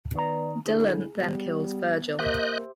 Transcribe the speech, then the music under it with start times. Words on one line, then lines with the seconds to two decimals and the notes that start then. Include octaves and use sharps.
Dylan then kills Virgil.
0.15 D#3 B3 D5 A#5
0.66 D3 E4 G#4
1.17 G3 B3
2.19 A#3 G4 C5 D#5 E5 F#6 G6